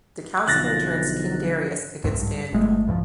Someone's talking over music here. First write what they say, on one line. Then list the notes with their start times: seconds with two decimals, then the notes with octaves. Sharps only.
The counsellor turns King Darius against Daniel.
0.48 B1 D3 F3 F#6 A6 A#6
2.04 C2 G#2
2.19 G2
2.53 G1 G#3 A3
2.87 C2 G2 E3 F3